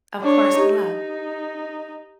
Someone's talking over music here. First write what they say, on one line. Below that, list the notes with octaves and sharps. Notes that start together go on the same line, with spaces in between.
Of course, good luck.
D4 C#5
D#4 G4